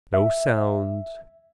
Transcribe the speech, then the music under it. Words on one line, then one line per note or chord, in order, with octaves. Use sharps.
No sound.
E5